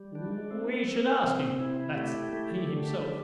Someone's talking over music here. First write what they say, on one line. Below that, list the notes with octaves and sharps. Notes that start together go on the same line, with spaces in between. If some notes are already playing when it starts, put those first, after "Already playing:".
"We should ask him... that's he himself?"...
Already playing: G3
D4
C4
C4
C3
E4
A3 G4
A3
D3
D3